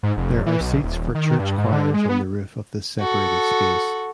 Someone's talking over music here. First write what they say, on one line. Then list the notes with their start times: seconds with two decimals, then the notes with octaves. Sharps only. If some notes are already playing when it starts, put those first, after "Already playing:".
There are seats for church choirs on the roof of this separated space.
0.03 G#2
0.17 F1
0.46 E3
0.61 B1
0.83 D#1
1.15 D#3
1.39 G2
1.58 G#2
1.72 D3
1.94 G#3
2.09 B3
3.00 F#4 A4